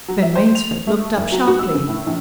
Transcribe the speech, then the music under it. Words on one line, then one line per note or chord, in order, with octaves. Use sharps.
Ben Rainsford looked up sharply.
F#3
E5
C5
F7
A3
F#1
F#3
F#4
E6
C#3
A2
A#1